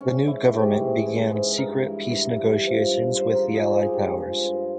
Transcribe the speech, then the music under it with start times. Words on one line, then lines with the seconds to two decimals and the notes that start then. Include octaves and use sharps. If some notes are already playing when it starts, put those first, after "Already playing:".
The new government began secret peace negotiations with the Allied powers.
0.01 G#2 C#4
0.27 E3 E4
0.53 G#2 G4
0.80 G#2
1.06 E3
1.32 G#2
1.58 G2 A#4
1.84 E3
2.10 G2
2.36 G2
2.63 F3
2.88 G2
3.15 G#2 C5
3.34 A#4
3.41 F3
3.54 G#4
3.67 G#2
3.74 G#4
3.86 G4
3.94 G2 G#4
4.20 F3
4.46 G2